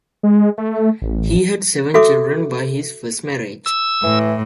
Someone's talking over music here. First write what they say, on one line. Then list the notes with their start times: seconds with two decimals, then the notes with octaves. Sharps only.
He had seven children by his first marriage.
0.23 G#3
0.58 A3
1.02 A1
1.94 F#4 A4 E5 D6
3.66 E6
4.03 A2 E3